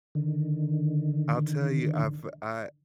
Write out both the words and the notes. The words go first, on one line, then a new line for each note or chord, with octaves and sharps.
I'll tell you, I've I
D3 D#3